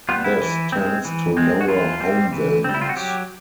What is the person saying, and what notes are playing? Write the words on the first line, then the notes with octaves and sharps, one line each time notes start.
This tends to lower home values.
G3 B3 F4
E4
E3
G#3 C4
E3
G#3 C4
F#4
E3 F4
G3 C4
E3
G3 C4
E4
F4
F#4
F#3 G4